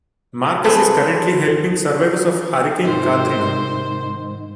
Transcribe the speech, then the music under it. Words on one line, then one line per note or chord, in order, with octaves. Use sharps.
Markus is currently helping survivors of Hurricane Katrina.
C4 G#4 A4 B4
G#2 C3 D#3 C5